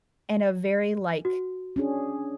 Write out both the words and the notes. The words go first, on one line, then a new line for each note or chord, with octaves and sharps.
in a very, like,
F#4
C#4 D4 G#4